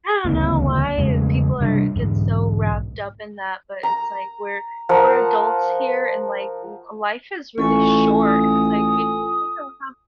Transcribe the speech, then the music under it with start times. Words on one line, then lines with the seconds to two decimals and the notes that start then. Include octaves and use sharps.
I don't know why people are get so wrapped up in that, but it's like, we're we're adults here and, like, life is really short. It's like, we we don't have
0.25 D1 C#2 A#3 C4
0.98 E1 C#3 G#3
1.61 C3 G3 D4
1.96 B1 G#2
3.83 A#5
4.89 F3 A#4 F#5
7.58 A1 F4 A4 G#5 C#6
8.22 D#6